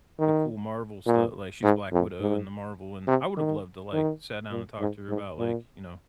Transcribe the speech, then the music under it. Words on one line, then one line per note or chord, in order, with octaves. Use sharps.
the cool Marvel stuff, like, she's Black Widow in the Marvel and I would've loved to, like, sat down and talked to her about like, you know,
D#3
A#2
G#2
F2
G#2
C3
D#3
D#3
A#2
G#2
G#2
A#2